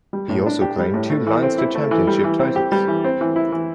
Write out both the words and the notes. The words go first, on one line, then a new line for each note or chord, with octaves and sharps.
He also claimed two Leinster Championship titles.
G3
A2
D4
G4
G3
A2
A3
E3
C4
E4
A3
E3
G3
E3
C4
G4
G3
E3
C4
E3
E4
E3